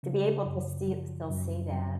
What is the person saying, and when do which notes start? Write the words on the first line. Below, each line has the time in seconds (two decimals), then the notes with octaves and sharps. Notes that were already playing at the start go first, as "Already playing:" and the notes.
to be able to sti still see that.
0.03 C#3
0.45 F#2
0.88 F3
1.30 F#2
1.71 F#2